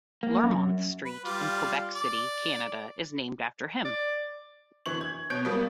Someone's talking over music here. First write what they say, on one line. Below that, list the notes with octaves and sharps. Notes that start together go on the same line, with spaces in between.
Learmonth Street in Quebec City, Canada is named after him.
A#3
F#2
B4
G3 F4 D5
D5
D5
D3 E3 C#6 F#7
G#6
B2 C#5 G6 D7
G3 A#3 B3